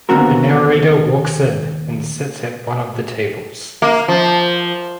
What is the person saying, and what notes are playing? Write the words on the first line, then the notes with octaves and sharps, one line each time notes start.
The narrator walks in and sits at one of the tables.
D#2 D3 B3 C4 F#4 A#4
A#3
F3